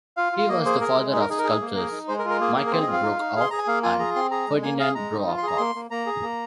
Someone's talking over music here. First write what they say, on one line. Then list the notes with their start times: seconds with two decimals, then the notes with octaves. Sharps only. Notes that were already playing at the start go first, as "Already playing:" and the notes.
He was the father of the sculptors Michael Brokoff and Ferdinand Brokoff.
0.17 F4 F5
0.32 F4
0.38 F5
0.49 A#3 D#5
0.65 G#4 C5
0.81 G#4 A#4
0.96 G#3
1.13 D#4 G#4
1.21 A#4
1.29 D#4 G#4
1.39 A#4
1.44 G#4
1.61 A#3
1.76 G#4 A#4
1.92 D#4
2.08 G#3 C5
2.19 A#4
2.25 F4
2.30 A#4
2.40 A#3 G#4
2.56 G#4 A#4
2.67 A#4
2.71 C4 C5
2.83 D#5
2.87 F4
2.93 F5
3.03 D#4
3.19 D#4
3.36 G#4 C6
3.51 G#4 A#5
3.58 G#5
3.67 A#3 F5
3.83 F4 G#5
3.99 G#4 A#5
4.15 C4 C6
4.31 G#4 A#5
4.48 G#3
4.63 A#3 G#5
4.79 G#4 F5
4.95 G#3 A#5
5.11 D#4
5.27 F4
5.38 C6
5.43 G#4 A#5
5.57 A#3 C6
5.75 A#3
5.91 A#3 A#5
6.06 G#4
6.23 A#3